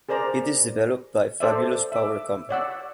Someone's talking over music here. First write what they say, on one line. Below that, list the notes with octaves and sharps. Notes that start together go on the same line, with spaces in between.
It is developed by Fabulous Power Co.
G#4 A#4 C5 D5 A#5
A4 C5 D5 E5
E5 D6
C#5 D5 F#5 E6